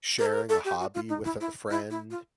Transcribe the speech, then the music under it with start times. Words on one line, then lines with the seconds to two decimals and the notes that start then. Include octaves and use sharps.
sharing a hobby with a friend
0.18 A#4
0.26 A4
0.33 A#4
0.49 A4
0.65 G4
0.80 F#4
0.94 F4
1.09 D#4
1.25 E4
1.40 E4
1.70 E4
1.90 E4
2.10 F4